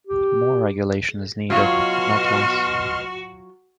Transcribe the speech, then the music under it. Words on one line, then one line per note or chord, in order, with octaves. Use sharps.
More regulation is needed, not less.
G4
B2 F#3 F4 F#4 C6 F6